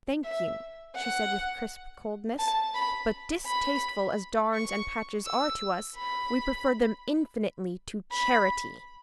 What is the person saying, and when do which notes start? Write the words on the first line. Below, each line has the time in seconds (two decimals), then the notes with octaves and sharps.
"Thank you," she said with crisp coldness; "but, distasteful as darns and patches are to us, we prefer them, infinitely, to--charity!"
0.24 E5
0.95 F#5
2.39 A5
2.74 B5
3.46 B5
4.54 C#6
5.25 E6
5.97 B5
8.11 B5